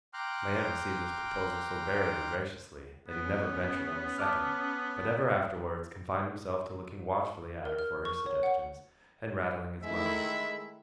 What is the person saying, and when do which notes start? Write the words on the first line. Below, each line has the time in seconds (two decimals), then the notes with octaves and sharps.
My aunt received this proposal so very ungraciously, that he never ventured on a second; but ever afterwards confined himself to looking watchfully at her for her suggestions, and rattling his money.
0.14 G5 A#5 C6 D6 F6 F#6
3.09 B3 C#4
4.18 A5 D6 F6
7.65 A#4
7.79 F6
8.05 C#6
8.26 C#5
8.43 F#5
9.83 D#3 G#3 A3 E4 E5